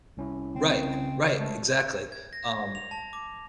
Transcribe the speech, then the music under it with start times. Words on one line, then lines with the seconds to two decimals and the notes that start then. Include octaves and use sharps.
Right, right, exactly, um
0.17 C2 C#4 E4
0.55 C#3 C4
1.39 G#3 A3
2.12 G#6
2.33 A#6
2.75 F7
2.91 A5
3.13 D6